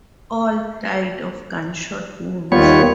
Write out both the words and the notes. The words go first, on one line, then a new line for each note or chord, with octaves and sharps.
All died of gunshot wounds.
D#2 D#3 G3 B3 F4 C#5